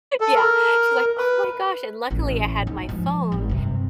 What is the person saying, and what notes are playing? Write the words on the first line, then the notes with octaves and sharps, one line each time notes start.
Yeah, she's like, "Oh my gosh" and, luckily I had my phone
A4
A#4
B4
A1 A2
G#2
F3 G#3
G#1
G2 C3